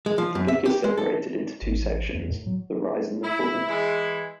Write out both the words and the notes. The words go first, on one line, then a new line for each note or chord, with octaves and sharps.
The book is separated into two sections: the rise and the fall.
G#3
F3
F#2
E5
G4
G#3
A4
G#1
A1
E2
A2
F#3
E4
E3 G#3 E4